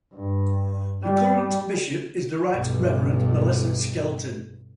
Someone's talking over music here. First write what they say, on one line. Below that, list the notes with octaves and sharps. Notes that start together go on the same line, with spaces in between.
The current Bishop is the Right Reverend Melissa Skelton.
G2
G3
B1 G2